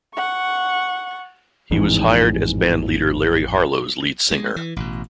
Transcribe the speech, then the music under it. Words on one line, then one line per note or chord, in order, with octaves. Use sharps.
He was hired as bandleader Larry Harlow's lead singer.
F#5 C#6
A1 F2 G#2 E3
G#3
E3
A1 B2